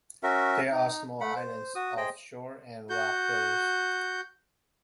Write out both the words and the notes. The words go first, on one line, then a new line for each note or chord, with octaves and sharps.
There are small islands off shore and rock pillars.
C#4 F#4 A#4 E5
D#4
A3 F#5 B5
C5
F#4 D#6
G#4 C5 D#5 G5
F#4 G6